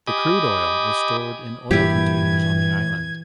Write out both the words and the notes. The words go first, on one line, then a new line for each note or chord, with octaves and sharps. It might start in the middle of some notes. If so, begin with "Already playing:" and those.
The crude oil is stored in oil containers on the island.
G4 D#5 G#5 B5 D6 D#6
G2 A#2 E3 G3 E4 G4 G#6